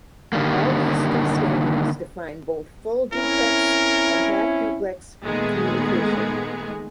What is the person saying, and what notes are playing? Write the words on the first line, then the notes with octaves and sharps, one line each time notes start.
All these three standards define both full-duplex and half-duplex communication.
D3 D#3 G3 A#3
C4 C#4 E4 A#4
A#2 D#3 G#3 A3 B3 G#4